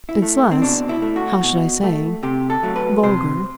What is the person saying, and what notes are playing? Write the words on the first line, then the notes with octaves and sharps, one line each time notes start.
It's less--how should I say?--vulgar.
E4
A3
C4
B2 D4
E4
A3
F#4
B2
A3
C3 G4
A4
F#3 A3
B4
C3 C5